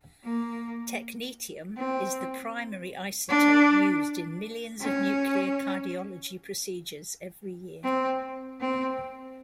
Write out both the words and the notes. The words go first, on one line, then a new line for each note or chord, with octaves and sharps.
Technetium is the primary isotope used in millions of nuclear cardiology procedures every year.
A#3
C4
D4
C#4
C4
C4